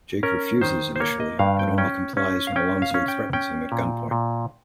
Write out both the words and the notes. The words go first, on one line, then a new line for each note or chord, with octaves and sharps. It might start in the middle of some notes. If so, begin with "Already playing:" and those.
Jake refuses initially, but only complies when Alonzo threatens him at gunpoint.
C#4 A#4
D#3 C5
C5
A#3 C#5
D#5
G2 F5
G5
C#4 G5
C#4
F5
C#4 G5
F5
C#4
G5
C#4 G5
A#2
A#2